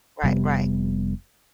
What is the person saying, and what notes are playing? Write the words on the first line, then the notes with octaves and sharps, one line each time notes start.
Right, right.
F1 C3 G3 B3